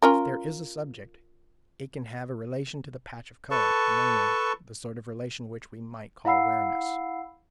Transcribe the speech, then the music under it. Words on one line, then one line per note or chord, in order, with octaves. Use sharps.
If there is a subject, it can have a relation to the patch of colour, namely, the sort of relation which we might call awareness.
C#4 F4 A#4
A4 B4 A5 C#6
E4 F5 F#5 B5 E6 C7